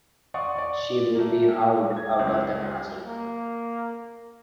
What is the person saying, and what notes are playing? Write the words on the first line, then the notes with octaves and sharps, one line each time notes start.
She would be howled out of the classroom.
D5 F5 F#5 C6 C#6 D#6
D5 C#6
A3 A#3
G#6
C#2 F#2
A#3